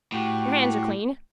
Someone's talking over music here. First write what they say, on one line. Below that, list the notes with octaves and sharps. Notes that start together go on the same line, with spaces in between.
Your hands are clean.
A2 F#4 G4